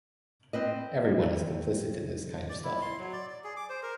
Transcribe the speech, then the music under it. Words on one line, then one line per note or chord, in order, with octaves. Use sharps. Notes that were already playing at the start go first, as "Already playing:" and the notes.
Everyone is complicit in this kind of stuff.
C4 B4 D#5
D5
E4
C6
F#3
D5
D5
G#4
D6
C5
A#4